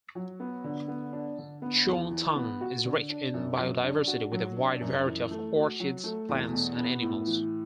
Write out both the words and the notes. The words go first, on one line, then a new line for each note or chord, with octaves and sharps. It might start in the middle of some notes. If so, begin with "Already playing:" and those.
Chungthang is rich in biodiversity with a wide variety of orchids, plants and animals.
F#3
B3
D3
B3
D4
D3
B3
E2
E3
B3
F#4
D3
D4
F#2
F#3
D4
F#4
F#3
D4
F#2
E3
A3
F#4
F#3
A3
E2
B2
B3
A2
E3